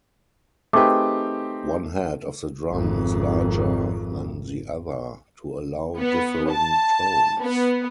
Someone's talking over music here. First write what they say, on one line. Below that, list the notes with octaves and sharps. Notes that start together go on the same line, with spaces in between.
One head of the drum is larger than the other to allow differing tones.
A3 C4 D#4 G4 G#4 B4 D6
G#1 F2
B3
A5
B3